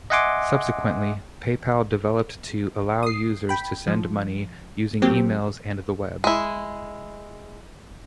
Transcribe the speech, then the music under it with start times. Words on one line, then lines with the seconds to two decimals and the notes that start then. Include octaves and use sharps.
Subsequently, PayPal developed to allow users to send money using emails and the web.
0.10 D#5 E5 F#5 G#5 C6 D6
3.03 D#6 C7
3.49 G5 B5
3.87 F3
5.02 F#3 A#3 C4 G4
6.24 G#3 E4